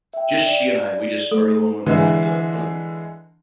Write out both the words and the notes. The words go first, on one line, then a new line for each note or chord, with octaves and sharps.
Just she and I, we just spur of the moment, packed up, and boom.
E5 G5
D5
A3 A4
D3 E3 G#3